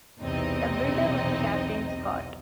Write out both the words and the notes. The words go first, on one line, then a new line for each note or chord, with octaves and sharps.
The builder was Captain Scott.
B1 E2 C3 C4 D#4 D#5